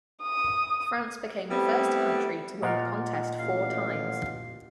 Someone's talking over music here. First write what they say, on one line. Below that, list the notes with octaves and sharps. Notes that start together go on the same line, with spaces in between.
France became the first country to win the contest four times.
D#6
G3 A3 B3 C4 E4
A#2 D#5 F#5 F6
A1 F5